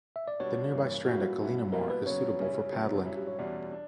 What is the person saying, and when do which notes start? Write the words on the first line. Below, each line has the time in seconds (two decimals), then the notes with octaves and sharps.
The nearby strand at Culleenamore is suitable for paddling.
0.16 E5
0.28 D5
0.40 B2 G3 B3 D4 C#5
0.73 G2 E3 A#3
1.06 A#2 G3 A#3 C#4 E4 F#4
1.39 G2 F#3 C#4 E4
1.72 B2 G3 A#3 E4 A#4
1.90 B4
2.05 F#2 C#3 F#3 B3 C#5
2.39 C#3 G3 C#4 E4
2.72 F#2 C#3 F#3 B3
3.05 G2 F#3 C#4 E4
3.17 G4
3.28 C#5
3.39 E2 B2 G3 C#4 E4 D5
3.72 D4